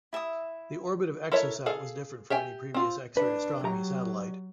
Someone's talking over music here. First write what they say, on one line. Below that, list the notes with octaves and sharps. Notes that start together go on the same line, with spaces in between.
The orbit of Exosat was different from any previous X-ray astronomy satellite.
E4 E5 G#5 D#6
E4 A4 A#4 C#5 E5
G#4 A4 F5
G4 E5 G5 G#5
C4 F4
D4 B4
F#3 G4 A#5